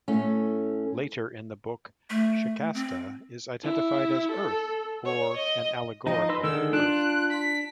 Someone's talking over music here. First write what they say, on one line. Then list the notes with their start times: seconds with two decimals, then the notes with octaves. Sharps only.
Later in the book, Shikasta is identified as Earth, or an allegorical Earth.
0.08 A2 A3 C#4
2.10 A3
2.74 C4
3.63 E4
4.31 A4
5.05 C#5
5.37 D#5
6.07 F3 D#4 D#5
6.29 B4 C6 E6
6.44 D3 D#3 G#3 A4 E6
6.73 D4 F4 F#6
7.30 B6